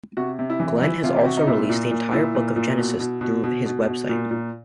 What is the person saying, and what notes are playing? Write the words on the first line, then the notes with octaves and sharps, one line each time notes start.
Glen has also released the entire Book of Genesis through his web site.
C3 F#4
C3
E4
E3
D#4
E3 E4
C3 F4
G4
C3 F#4
D#4
A#2 E4
A#2
A#2
A#2 E4
A#2
A#2
B2
B2
B2
B2
B2
B2
A#2
A#2